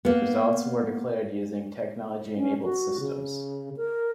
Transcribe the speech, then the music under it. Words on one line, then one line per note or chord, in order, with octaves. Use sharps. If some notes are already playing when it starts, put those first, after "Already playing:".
Results were declared using technology-enabled systems.
A#3 B3
C#4
F#4
C#3
A#4